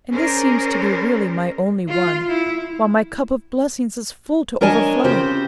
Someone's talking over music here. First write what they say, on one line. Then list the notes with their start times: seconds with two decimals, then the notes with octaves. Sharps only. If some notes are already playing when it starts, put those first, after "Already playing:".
And this seems to be really my only one, while my cup of blessings is full to overflowing.
0.11 C#4 G#4 A#4 C5 D5
1.89 F4
2.29 E4
4.61 D4 A#4 C#5 D#5 G#5 A5
5.04 C#3 C4 G4 C5